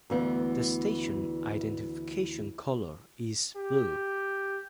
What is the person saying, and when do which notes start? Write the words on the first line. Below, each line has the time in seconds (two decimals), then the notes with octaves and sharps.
The station identification colour is blue.
0.10 D2 E3 B3
3.57 G4